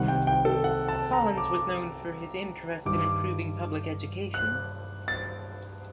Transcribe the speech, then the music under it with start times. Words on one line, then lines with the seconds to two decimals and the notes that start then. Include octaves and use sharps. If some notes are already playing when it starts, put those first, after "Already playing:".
Collins was known for his interest in improving public education.
Already playing: C2 C3 D#3 G3 F#5
0.08 G5
0.27 G5
0.45 A4
0.64 F#5
0.88 A5
1.13 A#5
1.38 D6
2.85 G2 D#3 G3 D6
4.34 F#6
5.08 A6